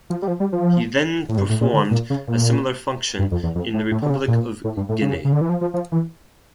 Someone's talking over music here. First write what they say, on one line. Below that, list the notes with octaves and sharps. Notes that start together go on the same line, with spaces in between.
He then performed a similar function in the Republic of Guinea.
F3
G3
F3
G3
F3
A2
G2
A2
A#2
D3
A#2
C#3
A#2
G2
F2
E2
F2
A2
A2
D3
C#3
A#2
A2
G2
A2
C#3
C#3
D3
E3
F3
F3
F3
E3